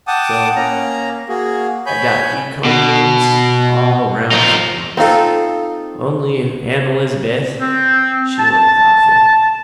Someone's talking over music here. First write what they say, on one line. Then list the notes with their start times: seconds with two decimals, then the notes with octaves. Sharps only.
So I got encombiums all round for once. Only Aunt Elizabeth--she looked thoughtful.
0.07 F#5 G5 A5 D6 D#6
0.56 A#3 C#4 A#5
1.28 A#3 F#4 G#4
1.86 C#5 G#5 B5 G6
2.65 B2
4.31 F3 D#4
4.97 C4 D#4 F4 A4
7.59 C4
8.39 A5